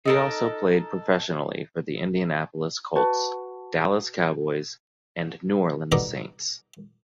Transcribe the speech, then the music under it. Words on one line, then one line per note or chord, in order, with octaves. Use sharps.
He also played professionally for the Indianapolis Colts, Dallas Cowboys, and New Orleans Saints.
D#4 A4 A#4
F#4 B4 A5
G2 B2 D3 D#4 D#5 D6